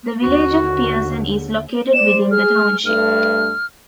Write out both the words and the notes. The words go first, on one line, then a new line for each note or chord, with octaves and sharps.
The Village of Pierson is located within the township.
D#2 D3 F#4
C5 D5 E7
G#4 F6
G2 A3 F6